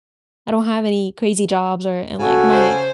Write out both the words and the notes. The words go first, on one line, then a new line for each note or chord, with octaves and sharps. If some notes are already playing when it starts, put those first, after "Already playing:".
I don't have any crazy jobs or and, like, my
C#3 F#4 A4
C5